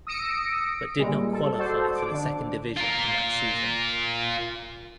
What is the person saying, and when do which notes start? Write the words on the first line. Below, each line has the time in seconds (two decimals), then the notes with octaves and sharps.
But did not qualify for the second division in that season.
0.07 D#6 E6 A#6 C#7 D7
0.98 A#2 G3 G#3
1.32 A4
1.58 F#4 A4 C5 D5
1.95 D6
2.11 D3 D4
2.77 F4 A#4